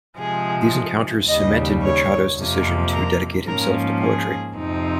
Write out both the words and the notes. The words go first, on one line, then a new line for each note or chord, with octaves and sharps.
These encounters cemented Machado's decision to dedicate himself to poetry.
C3 F3 G#3 G#4
D#2 C#3 G3 D#5
C#5
F2 C3 F3 A#3
A#4
G#2 F3 A#3 C#4 A#4
G#4
F2 C3 F3 C4 D#4